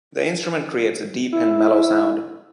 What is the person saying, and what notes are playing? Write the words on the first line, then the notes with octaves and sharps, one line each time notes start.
This instrument creates a deep and mellow sound.
E4